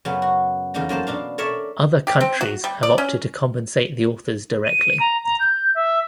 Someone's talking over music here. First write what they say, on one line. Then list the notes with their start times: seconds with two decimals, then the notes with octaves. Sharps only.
Other countries have opted to compensate the authors directly.
0.05 F#2 C#3 B3
0.22 F#4
0.74 E2 C#3 A#3 D#4 A#5
0.89 F#2 A#3 C5 A5
1.07 B2 D4 F5
1.38 A4 A#4 C#5 D5 E5
2.07 G4
2.21 C4
2.41 F#4
2.64 G3
2.83 D5
2.98 C#4
4.65 D#7
5.00 A#5
5.24 A#5
5.40 G6
5.75 E5